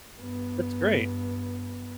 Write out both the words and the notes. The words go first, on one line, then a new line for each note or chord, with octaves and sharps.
That's great.
G2 B3